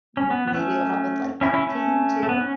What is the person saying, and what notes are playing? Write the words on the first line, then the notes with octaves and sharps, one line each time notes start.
M maybe it'll help with, like, back pain, too?
C#4
B3
B3
A3 C#4
C#4 E4
C#4 E4
A3 C#4
A3
B3
C#4